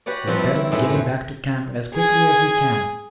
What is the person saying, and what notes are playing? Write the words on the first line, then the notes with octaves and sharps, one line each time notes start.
We had better be getting back to camp as quickly as we can.
F#4 G4 B4 C#5 D5
F3 G3 C4 A#4 B4 C#5
E4
E4 A#4
F#2 A2 D#3 G#3 E5 F#5
F#2 A3
G#4 G#5